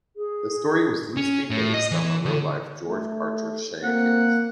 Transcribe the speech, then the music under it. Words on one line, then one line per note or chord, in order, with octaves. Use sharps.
The story was loosely based on the real life George Archer-Shee case.
G#4
C#4
A2
D#5
E3
D3
A3
A#3 C4 F#5